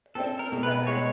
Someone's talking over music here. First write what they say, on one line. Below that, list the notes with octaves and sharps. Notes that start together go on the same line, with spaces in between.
thank you, bye-bye.
C4 A4
A#4
B2
B4
G#3 C#5